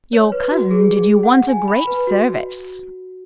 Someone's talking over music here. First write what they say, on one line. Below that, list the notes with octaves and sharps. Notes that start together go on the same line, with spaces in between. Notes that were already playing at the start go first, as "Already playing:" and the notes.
Your cousin did you once a great service.
C#5
B4
F#4
G#4
G#4
F#5
G#5
B5
B4
F#4